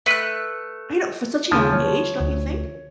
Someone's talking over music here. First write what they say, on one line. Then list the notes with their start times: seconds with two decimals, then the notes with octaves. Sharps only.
I know for such a young age, don't you think?
0.06 A3 B4 F#6
1.51 D#2 C#3 F3
1.73 D3 G3 C#5
2.20 D2